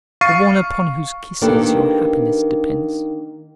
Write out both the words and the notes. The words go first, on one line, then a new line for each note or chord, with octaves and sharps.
The one upon whose kisses your happiness depends.
F5 C#6 F6 A6 C7 D#7
D#3 A#3 D4 G4 A4 B4